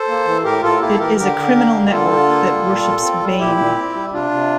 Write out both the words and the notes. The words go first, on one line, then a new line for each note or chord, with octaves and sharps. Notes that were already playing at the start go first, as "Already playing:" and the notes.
It is a criminal network that worships Bane.
Already playing: A4 C5
A#3
E3
A2 G4 A#4
A2 F4 A4
A#3 E4 G4
A4
E3 G4 A#4
D3 G4 A#4
D3
A#3
G3
D3 F4 A4
D3
A#3
G3
A#2
A#2
C4
G3
A#2 E4 G4
A#2
C4
G3
C3 D4 F4
C3